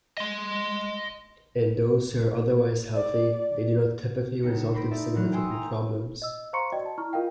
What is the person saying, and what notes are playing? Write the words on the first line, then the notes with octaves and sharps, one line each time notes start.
In those who are otherwise healthy they do not typically result in significant problems.
D#5 C6
D5
C#2 D#4 C#7
C5 B5 A#6 D7
A3 D#4 D5 E5
E3 F#3 A#4 C#6 F#6
G5 G#5 C6 C#6 D#6 E6
G#5 A#5
D#5 E6
C5 F5 A#5 C6 C#6 C#7
F#4 D5 D#5 G5
A5
E4 A#5 C#6 F6
F4 A#4 D#5 F5 G5